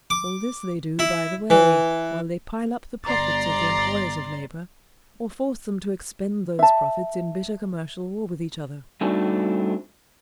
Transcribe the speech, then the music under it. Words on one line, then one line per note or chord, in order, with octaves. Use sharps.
All this they do by the way, while they pile up the profits of the employers of labour, or force them to expend those profits in bitter commercial war with each other.
D6
E4
E3
G1 D5 A#5 C6 A6 C7
E5 A5
G3 A3 C4 D4 D#4 F#4